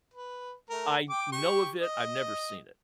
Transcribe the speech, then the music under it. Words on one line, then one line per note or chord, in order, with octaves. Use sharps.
I know of it. I've never seen it.
B4
A3 A#4
G5 D6
G4 C#6
D#5